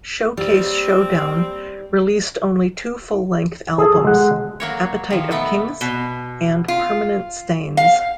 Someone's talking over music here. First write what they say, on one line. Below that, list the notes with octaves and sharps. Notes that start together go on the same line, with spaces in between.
Showcase Showdown released only two full-length albums, "Appetite of Kings" and "Permanent Stains".
G3 A#3 C4
G#4 A4
G#3 F#5
F#3 A#3 C#5
D#3 F3
B2 A3 B3
B2
F4
F5